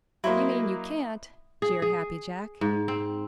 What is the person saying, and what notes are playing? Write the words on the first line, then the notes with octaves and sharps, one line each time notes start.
"You mean you can't!" jeered Happy Jack.
F#3 A#3 E4 C5 D#5
G#4
G#4
G#2
C4